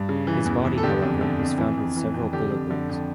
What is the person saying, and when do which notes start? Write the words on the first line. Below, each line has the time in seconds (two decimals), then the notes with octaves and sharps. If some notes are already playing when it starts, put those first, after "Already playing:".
His body, however, was found with several bullet wounds.
Already playing: G2
0.09 C#3
0.27 E3
0.45 E2
0.65 E2
0.78 A4
0.83 D3 G4
1.02 F2
1.21 D3
1.39 F2
1.58 E3
1.78 F2
1.96 E3
2.14 F2
2.33 D3 G4
2.52 F2
2.70 D3
2.89 F2